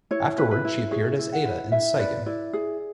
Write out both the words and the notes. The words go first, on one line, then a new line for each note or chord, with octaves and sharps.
Afterwards she appeared as Aida in Siegen.
E4 C#5
B4
B4
E4
G#4 C#5
E4
F#5
B4
E4 E5
B4 D5
E4 D5
G#4